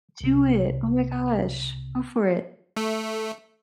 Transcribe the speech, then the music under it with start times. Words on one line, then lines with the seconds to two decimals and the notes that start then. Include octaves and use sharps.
Do it. Oh my gosh. Go for it.
0.21 C2 C3
2.77 A3